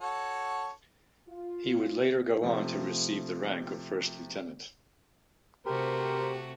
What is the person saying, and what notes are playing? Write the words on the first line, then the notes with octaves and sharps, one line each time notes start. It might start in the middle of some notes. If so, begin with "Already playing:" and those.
He would later go on to receive the rank of first lieutenant.
F#4 A4 C#5
F4
C3 F3 A3
C3 A3 F#4 G4 A#4 C5